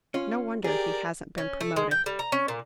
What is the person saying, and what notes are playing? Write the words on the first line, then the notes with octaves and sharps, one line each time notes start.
No wonder he hasn't been promoted.
C#4 F4
G4 G#4 A#4 D5
C#4
A3
G#3
G5
G3
A#5
C#4
A#2